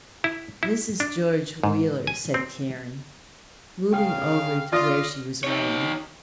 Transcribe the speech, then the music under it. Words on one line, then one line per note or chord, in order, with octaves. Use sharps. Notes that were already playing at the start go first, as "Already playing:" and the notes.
"Mrs. George Wheeler," said Carrie, moving over to where she was writing.
E4
E4
D4
G#2
G#5
C4
C#3 F5 G5
F4 D5 D#6 A#6
D#4 C#5